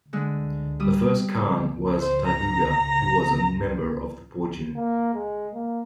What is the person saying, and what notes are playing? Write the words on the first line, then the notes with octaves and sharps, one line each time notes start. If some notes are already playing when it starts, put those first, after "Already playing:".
The first Khan was Taibuga, who was a member of the Borjigin.
D3 G#3
G3 D#6
C5
A#5
A#3
G#3
A#3